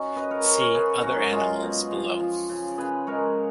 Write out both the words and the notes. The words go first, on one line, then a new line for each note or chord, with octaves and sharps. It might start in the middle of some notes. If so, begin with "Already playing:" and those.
See "Other animals" below.
Already playing: C#4 D#4 F#4
C#3 B4 D#5
A#4 C#5
C#3 A#4 C#5
A#4 C#5
C#3 G#4 B4
F#3 F#4 A#4
G#3 F4 G#4
B2
F3
F3
C#3
C#3 G#4 B4
G#3 A#4 C#5